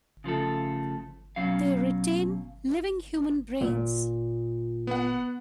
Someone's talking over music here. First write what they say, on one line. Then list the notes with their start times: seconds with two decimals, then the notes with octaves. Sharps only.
They retain living human brains.
0.24 C#3 F3 A3 A4
1.36 B2 F#3 C#4 F5
3.61 A#2
4.87 B3 F#5